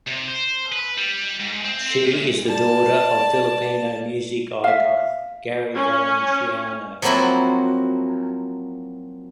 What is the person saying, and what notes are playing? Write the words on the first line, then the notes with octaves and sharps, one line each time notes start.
She is the daughter of Filipino music icon Gary Valenciano.
C3
C5
B4
G3
G#2
C4
A#2
D5 A5
E5 F5
C#4
F3 F#3 A#3 C4 E4 F#4